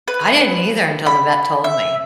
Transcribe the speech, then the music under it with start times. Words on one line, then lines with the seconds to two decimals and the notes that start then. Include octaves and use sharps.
I didn't either until the vet told me.
0.08 B4
1.06 B5
1.64 E5